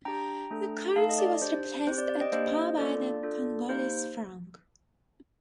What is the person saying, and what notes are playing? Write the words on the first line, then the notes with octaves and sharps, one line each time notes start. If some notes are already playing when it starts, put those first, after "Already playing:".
The currency was replaced at par by the Congolese franc.
D4 G4 G5 A#5
A3 D4 A4
A3 D#4 A4 F5 A5
D#5
D5
D4 G4 C5
C4 G4 C5
D5
D5
D#5 G5
A#3 D4 G4 C5 D#5
A#3 D4 F4 A4 D5
D4 F4 A4
A#3 D#4 G4 C5